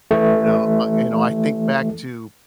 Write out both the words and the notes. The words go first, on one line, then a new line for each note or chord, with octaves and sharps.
You know, uh, you know, I think back to
E3 A3